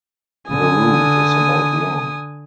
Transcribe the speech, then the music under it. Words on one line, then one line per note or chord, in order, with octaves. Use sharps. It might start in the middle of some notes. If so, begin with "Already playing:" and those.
The route is about long.
D3 G#5 D#6